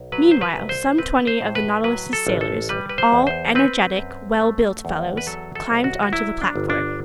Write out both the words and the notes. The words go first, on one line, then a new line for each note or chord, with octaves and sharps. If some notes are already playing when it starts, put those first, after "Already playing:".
Meanwhile some twenty of the Nautilus's sailors--all energetic, well-built fellows--climbed onto the platform.
Already playing: B1
F#3 B4
C5
B4
C2
C5
C4 B4
C5
A2
B4
F#3 B4
A4
A1
A4
G3 B4
B4
C5
E2
C5
C4 B4
F#2
A3
E2
B4
F#3 A4
A4
C2
F#4
F#4
F#3 E4
D4
G1
D4